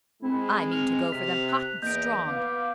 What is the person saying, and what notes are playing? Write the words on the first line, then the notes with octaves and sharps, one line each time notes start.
I mean to go for them hot and strong.
G#3 C4 E4
F6
C3 B6 F7
F#6
E2 A#3 D#5 G6 D7
B3 F5 D6